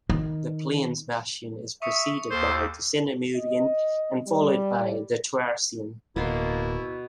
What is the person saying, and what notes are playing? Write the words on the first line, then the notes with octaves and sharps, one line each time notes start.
The Pliensbachian is preceded by the Sinemurian and followed by the Toarcian.
D#3
E5 C#6 D#6 C#7
D#2 A4 C5 G6
D#5
G3
D1 B2 A#3 E4 F#4 C6